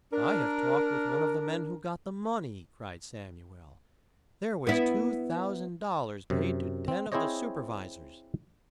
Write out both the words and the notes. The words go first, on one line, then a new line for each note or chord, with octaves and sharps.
"I have talked with one of the men who got the money!" cried Samuel. "There was two thousand dollars paid to ten of the supervisors."
D4 A#4
B3 E4
F#2 C3
C4
C4 E4 G#4 C5 C#5 D#5